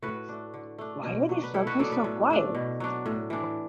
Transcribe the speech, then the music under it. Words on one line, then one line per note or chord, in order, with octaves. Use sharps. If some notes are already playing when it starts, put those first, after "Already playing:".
Why are they suddenly so quiet?
A2 F#4 B4
A3 D4
D3
A3 D4
B2
F#3 D4
B4
B2 E4 A4
F#4 B4
F#3 B3 D4 A4 D5
B4 E5
A2
A3 D4
B2
F#3 D4
A2
E3 D4